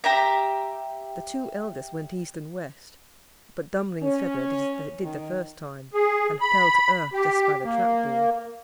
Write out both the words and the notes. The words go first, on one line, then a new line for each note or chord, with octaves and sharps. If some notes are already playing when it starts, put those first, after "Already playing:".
The two eldest went east and west, but Dummling's feather did as it did the first time, and fell to earth just by the trapdoor.
G4 E5 A#5
C#4
D#3
G#4
B5
G4
A#3